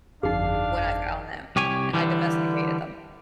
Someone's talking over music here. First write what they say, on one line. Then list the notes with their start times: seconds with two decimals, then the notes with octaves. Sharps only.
when I found them and I domesticated them.
0.23 G1 F2 D4 D#4 G#4 F5 C7
1.56 C2 G4 C#5 G#5
1.93 D3 E3 G3